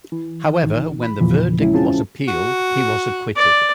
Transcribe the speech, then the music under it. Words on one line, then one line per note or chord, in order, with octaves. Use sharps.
However, when the verdict was appealed he was acquitted.
E3
A1 D#3
B5
E2 A#2 C#3 E3 F3
G#3 C#4 E4
C4 C#4 F4 G#4 A5
F#4
D5